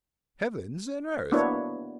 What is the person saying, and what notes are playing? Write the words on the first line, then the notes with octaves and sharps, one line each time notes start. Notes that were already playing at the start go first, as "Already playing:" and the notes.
Heavens and earth!
A#3 B3 D4 E4 F#4 C#5